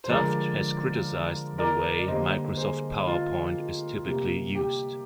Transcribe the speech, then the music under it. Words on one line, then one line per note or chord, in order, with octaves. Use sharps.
Tufte has criticized the way Microsoft PowerPoint is typically used.
C5
D3 F3 G#3 A#4 D5
A#4 D5
D5
D3 G3 A#3 C5 D#5
G#4 C5
F4
C3 G3 A#3
G4